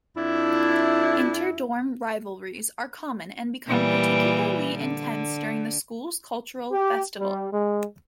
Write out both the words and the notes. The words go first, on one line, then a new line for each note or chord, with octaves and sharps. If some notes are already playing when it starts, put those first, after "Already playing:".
Inter-dorm rivalries are common and become particularly intense during the school's cultural festival.
F2 D4 E4
A#2 E3 G3
D3
G4
G3
G#3